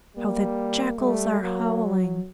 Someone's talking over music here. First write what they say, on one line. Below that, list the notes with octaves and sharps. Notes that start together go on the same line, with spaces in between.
How the jackals are howling....
G3 A#3
G3 A3
F#3 A#3